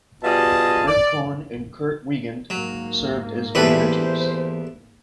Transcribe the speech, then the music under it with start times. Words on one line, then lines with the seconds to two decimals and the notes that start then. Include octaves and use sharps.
Bert Conn and Curt Wiegand served as managers.
0.23 B2 G3 F4 G#4 D#5 A5
0.87 D5
2.50 G#2 F#3 A#3
3.55 E2 E3 G3 A4 B4 C5